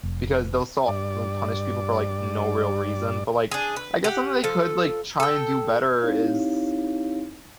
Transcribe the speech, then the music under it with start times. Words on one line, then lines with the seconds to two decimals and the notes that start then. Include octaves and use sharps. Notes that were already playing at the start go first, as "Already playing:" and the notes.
because they'll so often punish people for, like, no real reason, but like, I guess something they could, like, try and do better is
0.03 F1
0.88 G2 D5
3.51 D4 G#4
3.76 B4
4.04 G4 F#5
4.44 F3 A4
5.20 A4 G5
6.01 C4 D#4 E4 G4 C#5 F5